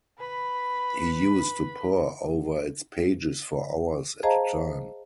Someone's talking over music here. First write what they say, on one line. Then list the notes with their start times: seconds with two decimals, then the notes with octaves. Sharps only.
He used to pore over its pages for hours at a time.
0.19 B4 B5
4.23 G#4 C5 D#5 F5 A5 A#5